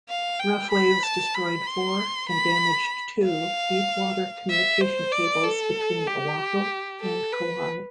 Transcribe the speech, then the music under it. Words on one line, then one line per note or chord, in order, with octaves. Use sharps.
Rough waves destroyed four and damaged two deep-water communication cables between Oahu and Kauai.
F5
G5
B5
A5
B5
C6
B5
F5
E5
C5
D5
A4
G4
A4
B4